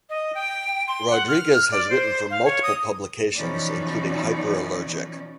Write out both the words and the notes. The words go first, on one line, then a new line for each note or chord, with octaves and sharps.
Rodriguez has written for multiple publications including Hyperallergic.
D#5
G5
C6
F#5
F6
D5
C5
F5
C#5
D#6
B2 E3 F3 C#4 D#4 D5